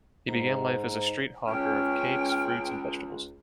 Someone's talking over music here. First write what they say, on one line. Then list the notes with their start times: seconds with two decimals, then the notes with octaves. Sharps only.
He began life as a street hawker of cakes, fruits and vegetables.
0.27 G#2 C5 A#5
1.48 C#2 C#4 G5 F6